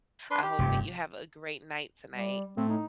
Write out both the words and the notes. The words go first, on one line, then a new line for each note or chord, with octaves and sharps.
I hope that you have a great night tonight.
D4 B4 C6
G4
F1 G2 C3
G3
A2 C4
D#4